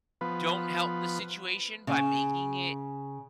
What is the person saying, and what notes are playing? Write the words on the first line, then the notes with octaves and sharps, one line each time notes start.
don't help the situation by making it
F3 B3 B4
C#3